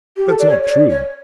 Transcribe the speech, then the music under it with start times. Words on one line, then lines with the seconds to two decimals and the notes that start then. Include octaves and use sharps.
That's not true.
0.17 G4
0.28 A4
0.39 D5
0.49 C#5
0.63 C#5
0.69 D5
0.89 C#5